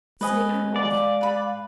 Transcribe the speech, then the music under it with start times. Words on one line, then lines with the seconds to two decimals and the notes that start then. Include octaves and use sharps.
Say, I'm off!
0.21 G#3 B4 C5 D#5 G#5
0.76 D5 F5
1.21 B4 B5